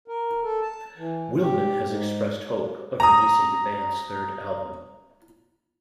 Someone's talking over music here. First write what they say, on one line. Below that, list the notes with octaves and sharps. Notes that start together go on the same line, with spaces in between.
Willman has expressed hope of releasing the band's third album.
A#4
A4
A5
E3
G4
G#2
A#5 D#6